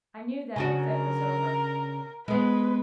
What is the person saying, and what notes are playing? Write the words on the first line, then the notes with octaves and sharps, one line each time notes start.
I knew that the fit was over.
C#3 D4 F#4
A#4
G#3 B3 B4